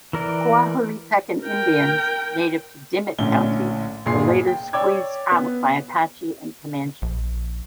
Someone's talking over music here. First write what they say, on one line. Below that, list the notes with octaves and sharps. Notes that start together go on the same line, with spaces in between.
Coahuiltecan Indians native to Dimmit County were later squeezed out by Apache and Comanche.
E3 A#4 D5
A#4 G5
A#1 A2 D3 C#4 G7
G1 A#2 G#4 C6 C7
G5
C#5 D5 G5 D6 E6 G#6
B3
A#1